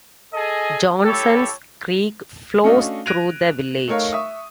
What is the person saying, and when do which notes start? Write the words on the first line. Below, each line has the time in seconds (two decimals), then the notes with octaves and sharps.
Johnson's Creek flows through the village.
0.34 G#4 A4 D#5 G#5
1.03 E4 G4 A4 C#5
2.64 A3 C#4 D4 F#4 D#5 F5
3.06 F#6 G#6 A#6 D7 D#7 F7
3.87 A3 D#4 A#4 C#5 F5
4.12 E5 C#6 D#6